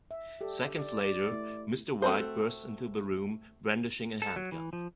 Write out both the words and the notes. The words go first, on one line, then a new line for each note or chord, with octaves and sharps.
Seconds later, Mr. White bursts into the room brandishing a handgun.
E5
G4 A4 D5
D5
A3 E4
A3 C4 F#4 C5
A4
F#3
E3
F3